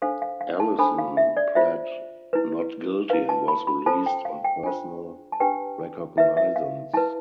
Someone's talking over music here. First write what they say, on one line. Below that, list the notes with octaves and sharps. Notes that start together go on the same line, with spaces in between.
Ellison pled not guilty and was released on personal recognizance.
D4 A4 C5 F5
F5
F5
A5
D4 A4 C5 B5
F5
E5
D5
F4 C5 E5
E4 B4
E4 B4 F5
A5
B5
B5
F4 A4 C5 A5
G5
F5
G5
D4 F4 C5
A5
D4 G4 B4 G5
E4 B4 E5
E5
F5
E4 B4 A5